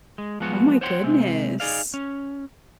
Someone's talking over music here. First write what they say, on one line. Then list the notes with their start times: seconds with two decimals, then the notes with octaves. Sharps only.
Oh my goodness.
0.18 G#3
0.40 F3 F#3 G#3 B3 F#4
0.81 C5 C#5 F#5 G5 C6
1.04 C3 G#3 C4
1.60 D#4 G#4 D5 F5
1.94 C#4